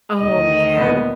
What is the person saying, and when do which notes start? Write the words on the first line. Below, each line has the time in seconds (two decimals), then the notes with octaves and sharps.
Oh, man.
0.19 D2 D#3 D#5
0.77 A#1 B3